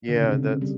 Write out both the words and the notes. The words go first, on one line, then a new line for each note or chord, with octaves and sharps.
Yeah, that's
D3
C#3
C3
C#3
G3